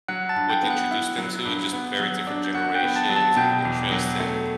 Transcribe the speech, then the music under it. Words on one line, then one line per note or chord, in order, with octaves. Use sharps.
would introduce them to, it's just very different generations, and interests, and
F#3 F#5 F#6
A5 A6
G2
G5 G6
B3
F#5 F#6
E4
F#3
G2
B3
F#3
D4
G6
F#4 F#5 F#6
G5 G6
B3
A5 A6
F#3
A5 A6
B2 G5 G6
E2
F#3
A3